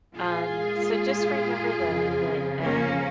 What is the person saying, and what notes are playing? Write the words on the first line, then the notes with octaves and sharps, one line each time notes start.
Um, so just remember though that, um,
A#2 G#3 F4 G#4
F2 C#3 F3
A#3 C#4